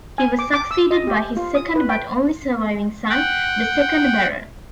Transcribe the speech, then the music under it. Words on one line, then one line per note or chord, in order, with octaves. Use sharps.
He was succeeded by his second but only surviving son, the second Baron.
G#5
D6
D6
E6
D#5
G4
F4
D#6
B4
G5
F#5 G5